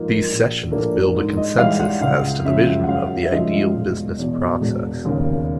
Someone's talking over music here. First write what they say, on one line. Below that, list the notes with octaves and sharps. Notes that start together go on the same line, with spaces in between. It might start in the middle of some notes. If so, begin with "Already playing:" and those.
These sessions build a consensus as to the vision of the ideal business process.
Already playing: G#2 F3 A#3 D#4
A#1
A2 F3 A#3 D4
G#2
D#5
E3 G3 F5
F#5
C#2 F5
C#3 F3 E5
F#5
F#2 F5
E5
C#3 F3 G#3 D#5
E1
E2 B2
E1
D#2 C#3